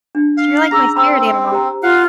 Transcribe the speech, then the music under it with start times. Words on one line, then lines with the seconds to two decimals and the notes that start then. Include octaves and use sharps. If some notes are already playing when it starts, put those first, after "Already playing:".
You're like my spirit animal.
0.15 D4
0.37 F5
0.71 C#4 G#4 A#5 E6
0.96 C4 A#5 B5 E6
1.52 G4 C5 A#5
1.83 F4 F5 F#5